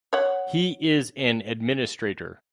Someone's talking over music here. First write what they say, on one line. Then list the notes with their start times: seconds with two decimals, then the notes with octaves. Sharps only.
He is an administrator.
0.13 C#5 F#5